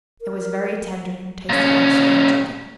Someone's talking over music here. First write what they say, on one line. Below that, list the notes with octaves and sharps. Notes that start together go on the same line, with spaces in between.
It was very tender and tasted like spring chicken.
A#4
A#2 C#4